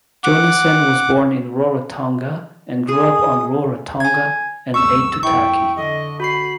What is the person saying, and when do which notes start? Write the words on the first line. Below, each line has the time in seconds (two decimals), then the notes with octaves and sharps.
Jonassen was born in Rarotonga and grew up on Rarotonga and Aitutaki.
0.24 F#5 D6
2.89 G#4 D#6
4.00 G#5 G#6
4.74 D2 G2 C#6 E6
5.23 F2 E4 G5 C#6
5.76 D3 D#5
6.20 F#4 B5 C7